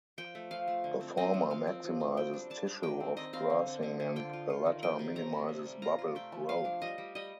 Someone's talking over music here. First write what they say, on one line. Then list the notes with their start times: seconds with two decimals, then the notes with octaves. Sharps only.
The former maximises tissue off-gassing and the latter minimises bubble growth.
0.18 F3 G5
0.35 A3
0.51 F3 F5
0.68 A3
0.84 D3
1.01 C4
1.17 C4 D#5
1.34 F3
1.50 F3 F5
1.67 C4
1.84 F3
2.00 C4
2.17 G3 G5
2.33 D4
2.50 D4 A5
2.67 D4
2.83 D#3 G5
3.00 C4
3.17 C4 D#5
3.33 C4 F5
3.50 D3
3.67 C4
3.83 D3
4.00 D3
4.16 F4 G5
4.33 F4
4.50 F4
4.66 D#3
4.82 D#3 G5
4.99 C3
5.15 A3 A#5
5.33 C3
5.49 G3
5.66 G3
5.82 F4 A#5
5.99 F4
6.15 A3 G5
6.32 F3
6.49 F3 F5
6.65 D4
6.82 G3 D#5
6.98 G3
7.15 G3 D#5